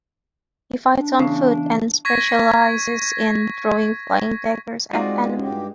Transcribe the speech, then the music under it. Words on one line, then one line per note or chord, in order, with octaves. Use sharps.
He fights on foot and specialises in throwing flying daggers at enemies.
D4
E2 G2 C#3
C#6 G#6 A#6 B6
G#3 C4 D#4 F4 F#4 D5
G2 G4